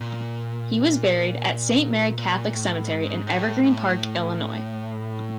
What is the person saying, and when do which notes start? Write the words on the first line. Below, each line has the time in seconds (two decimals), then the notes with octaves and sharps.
He was buried at Saint Mary Catholic Cemetery in Evergreen Park, Illinois.
0.01 A#2
2.18 A#2
2.54 A2
2.91 G#2
3.27 A2
3.63 A2